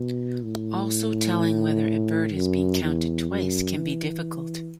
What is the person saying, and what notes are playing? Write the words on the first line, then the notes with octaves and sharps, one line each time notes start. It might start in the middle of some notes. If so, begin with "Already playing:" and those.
Also, telling whether a bird has been counted twice can be difficult.
Already playing: B2
A2
F#2
E2
F#2
E3